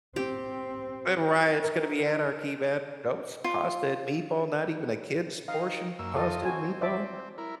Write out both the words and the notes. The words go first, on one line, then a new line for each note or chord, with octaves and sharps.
The riot's gonna be anarchy, man, "Those pasta and meatball not even a kid's portion of pasta and meatball?"
C4 G4
A#4
F4
D#4 F5
F#2 A#3 E6
F2 F4 A4 D#5 D#6
C4 F#4 G#5
D5 E5 D6
E4 A#4